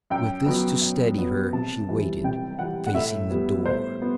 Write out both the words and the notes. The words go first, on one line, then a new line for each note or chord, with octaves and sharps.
With this to steady her, she waited, facing the door.
F#2 G5
F#3 B3
F#2
F#3 B3
C3 A5
E3 G3
C3 G5
E3 G3 F#5
F#5
A2 E5
G3 B3
A2 C5
B3